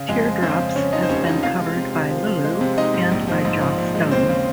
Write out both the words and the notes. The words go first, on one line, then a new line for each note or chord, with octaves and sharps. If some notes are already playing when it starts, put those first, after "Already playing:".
"Teardrops" has been covered by Lulu and by Joss Stone.
Already playing: C#3
F2 G#3 G#4
F3
C#3 C4 C5
C#3
C#3 C#4 C#5
F3 D#4 D#5
C5
F1 C#4 C#5
F3 D#4 D#5
C3 F4 F5
G#3
C3
C3
F3
F3
G#3
C3
G#3 D#4 D#5
G#2
A#1
F3
G#2
F3
A#1
G#3
D#2 C4 C5
C#3